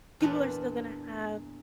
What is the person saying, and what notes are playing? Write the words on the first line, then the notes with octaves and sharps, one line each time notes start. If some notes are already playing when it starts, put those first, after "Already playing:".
people are still gonna have
E2 A#2 D4 B4